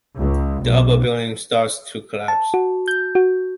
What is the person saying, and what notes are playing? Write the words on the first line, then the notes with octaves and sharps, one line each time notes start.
The upper building starts to collapse.
C#2
B1
A5
F#4
G6
F#4